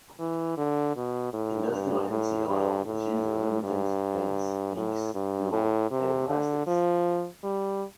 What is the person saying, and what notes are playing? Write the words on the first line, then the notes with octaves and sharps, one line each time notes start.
Industrial hempseed oil is used in lubricants, paints, inks, fuel, and plastics.
E3
D3
B2
A2
G2
A2
G2
A2
G2
A2
G2
A2
C3
D3
F3
G3